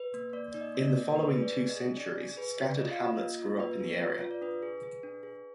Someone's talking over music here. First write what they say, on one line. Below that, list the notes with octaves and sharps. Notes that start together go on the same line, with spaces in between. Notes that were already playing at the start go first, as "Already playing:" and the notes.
In the following two centuries, scattered hamlets grew up in the area.
Already playing: B4
A#3
A#3 D5
D#4 D5
D#5
A#3
D#5
D5
A#3
D4 B4
G#4 B4
D5
G#4
D#5
G#4
D4 D5
G#4
G#4 B4
G#4 D5
F4 D#5
F5
F4
D#5
A#3
F4
A#3 B4
G#4
F4
F4
D5
D4 B4
G#4
G#4
D4
G#4